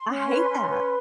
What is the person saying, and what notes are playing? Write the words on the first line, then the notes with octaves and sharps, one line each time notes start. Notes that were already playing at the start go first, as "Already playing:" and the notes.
I hate that.
Already playing: C6
C#4
B4
C#4
B4